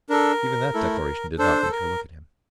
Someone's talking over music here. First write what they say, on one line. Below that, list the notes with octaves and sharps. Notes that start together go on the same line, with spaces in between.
Even that declaration did not make her look at him.
D4 A4 A#4
A3 E4 A4
D4 A4 C5
A4
A#4